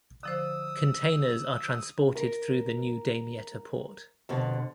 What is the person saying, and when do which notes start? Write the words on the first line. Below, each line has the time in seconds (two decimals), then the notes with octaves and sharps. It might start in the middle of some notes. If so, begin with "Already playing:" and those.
Containers are transported through the new Damietta Port.
0.23 D3 F3 C5 D#6 E6
2.15 A#4
4.29 F2 B2 D3